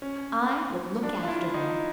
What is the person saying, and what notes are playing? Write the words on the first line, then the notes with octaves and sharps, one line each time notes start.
"I will look after them."
C#4
D4
F4
E4
D#4